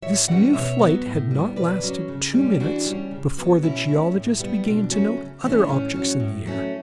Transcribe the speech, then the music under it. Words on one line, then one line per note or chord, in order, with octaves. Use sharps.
This new flight had not lasted two minutes before the geologist began to note other objects in the air.
A2 C#5 E5
E3 G3 C#4 D5 F#5
B2 C#5 E5
F#3 B3
A2
G3 B3
B2 B4 D5
F#3 C#4
C#3
G3 C#4
E3 D4 F#4
G3 C#4
C#3
F#3 B3
B2 C#4 E4
A3 C#4
A2
G3 B3
B2 D4
F#3 A3 C#4
C#3
E3 A3 C#4
D4
A2 C#4
F#3 C#4
A2
F#3 A3 C#4